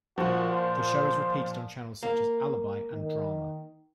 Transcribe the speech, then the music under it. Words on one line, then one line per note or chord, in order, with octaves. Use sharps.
The show is repeated on channels such as Alibi and Drama.
A#2 F3 F#4
C5
A#3
D#3